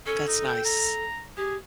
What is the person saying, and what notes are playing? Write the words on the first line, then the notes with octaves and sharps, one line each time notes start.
That's nice,
C#4 A4
D#4
G5
A#5
G4 G#4